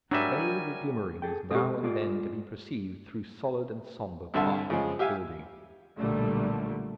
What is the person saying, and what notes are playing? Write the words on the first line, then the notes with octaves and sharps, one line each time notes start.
A vague glimmering is now and then to be perceived through solid and sombre piles of building.
F#3 G3 D4 A#4 E5 G#5
G#4 A4 G5
B2 G#3 C4 G4 A4
G#3 F4 D5
C2 G2 D3 E5 A5 C6
C#3 F3 G#3
G4 E5 F5 G#5
B1 A#2 D3 G3 A3